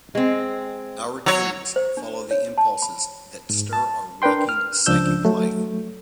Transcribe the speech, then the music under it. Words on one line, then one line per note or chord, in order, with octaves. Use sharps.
Our dreams follow the impulses that stir our waking psychic life.
G#3 C4
F#3 C#5
C5
D4
C#5
A5
B5
G#2
A5
D4 A#4 B4 G5 C6
F6
C#2 F3 D4 E6 G6
F#3 A3